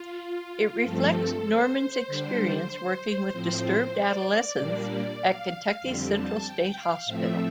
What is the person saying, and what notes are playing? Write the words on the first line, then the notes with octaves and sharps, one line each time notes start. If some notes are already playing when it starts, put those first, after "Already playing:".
It reflects Norman's experience working with disturbed adolescents at Kentucky's Central State Hospital.
Already playing: F4
G2 F3 A3 C4 A4
C5
D3 G3 D4
A2 F3 C4
D5
A#2 G3 A#3 D4
F5
F2 D3 G3 C4
A5
G5
F5
A2 F3 A3 C4 E5